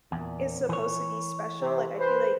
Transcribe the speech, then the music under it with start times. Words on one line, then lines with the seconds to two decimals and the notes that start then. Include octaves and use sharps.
it's supposed to be special, like, I feel like
0.12 E2 A#2
0.69 E3 C#5
1.60 C3 G4
1.99 B4 C5